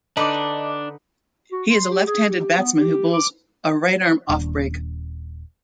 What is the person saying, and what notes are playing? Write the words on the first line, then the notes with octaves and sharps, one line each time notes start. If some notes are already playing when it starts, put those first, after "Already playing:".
He is a left-handed batsman who bowls a right-arm off break.
D3 D4 D#4 B4 D#5 D6
F#4
C6
G4
G#4
G4
B3
G4
D6
D#1 D4